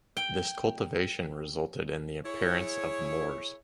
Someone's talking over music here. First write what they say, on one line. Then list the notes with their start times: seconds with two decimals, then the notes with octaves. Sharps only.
This cultivation resulted in the appearance of moors.
0.17 G5
2.25 E4 G#4 C#5